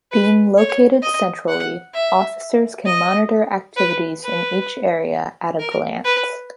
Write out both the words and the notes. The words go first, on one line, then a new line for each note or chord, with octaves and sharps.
Being located centrally, officers can monitor activities in each area at a glance.
B4
C#5
D#5
F#5
E5
D#5
B4
B4
A#4
B4